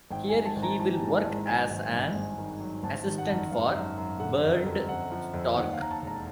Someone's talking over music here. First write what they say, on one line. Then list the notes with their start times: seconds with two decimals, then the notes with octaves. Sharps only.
Here he will work as an assistant for Bernd Storck.
0.11 G#1 G5
0.29 G#1 G#5
0.45 A5
0.56 G#1
0.63 A#5
0.79 E3 A5
1.02 G#2
1.25 G#1
1.47 F#3 G#5
1.70 G#1
1.93 G2
2.15 G#1
2.38 D#3
2.61 F#3
2.83 G#1 A5
3.07 D#3
3.18 F#5
3.30 F#2
3.52 G#1 F5
3.75 F#2
3.97 F#2
4.20 D3 F#5
4.43 F2
4.66 F2
4.89 F2 F#5
5.12 F3 F#5
5.34 F2
5.56 D#2 F#5
5.74 F5
5.79 D#2 A#5
5.91 A5
6.02 E1
6.07 A#5